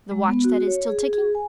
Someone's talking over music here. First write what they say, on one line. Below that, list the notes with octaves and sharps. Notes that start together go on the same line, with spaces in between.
"The watch that is still ticking?"
G#3
B3
F#4
C#5
G#4
G#4
G#5